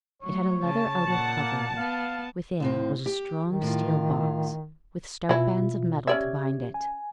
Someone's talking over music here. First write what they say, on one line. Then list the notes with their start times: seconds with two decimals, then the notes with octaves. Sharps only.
It had a leather outer covering; within was a strong steel box, with stout bands of metal to bind it.
0.22 F#3 A3 C#5
0.66 C#3 A5
1.06 A#2 F#5
1.40 A#3
1.77 B3 F5
2.60 D#2 A2 C4
3.06 G4
3.47 D#3
3.62 A2 F4
5.29 B2 E3 E4 F4
6.07 C#4 G4 D5 E5 G#6
6.74 G#5